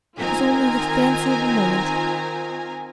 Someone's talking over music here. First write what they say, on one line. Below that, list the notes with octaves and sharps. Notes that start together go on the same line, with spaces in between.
'Twas only the fancy of a moment.
D#3 C4 F4 G#5 A#5